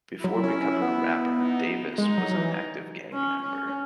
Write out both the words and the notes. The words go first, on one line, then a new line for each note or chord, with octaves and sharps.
Before becoming a rapper Davis was an active gang member.
F#3 E4
C#4
C#4
B3
D#4
G#3 D#4
F#3
F#3
E3
C#4
C#4